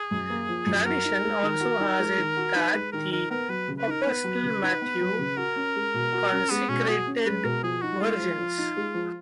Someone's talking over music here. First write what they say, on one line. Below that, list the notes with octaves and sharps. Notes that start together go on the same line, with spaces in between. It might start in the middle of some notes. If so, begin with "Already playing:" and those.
Tradition also has it that the Apostle Matthew consecrated virgins.
Already playing: G#4
F#2
A#3
F3
F#2
F#4 A#4
D#4
G#3
D#3
F#4
D#4
G#3
D#3
F#4
D#4 B4
G#3 B4
D#3 A#4
D#4 A#4
B3 A#4
F#3 B4
C#3
B4
D#4 A#4
B3 B4
F#3
C#3
D#4
B3
F#3
C#3
F#4 A#4
C#4
G#3
B2
F#4
C#4
G#3 B3
B2 C#4
F#4 G#4
C#4
G#3 B4
B2 A#4
F3 G#4
D#4 F#4
G#3 F4
F3
F3
D#4
G#3
F3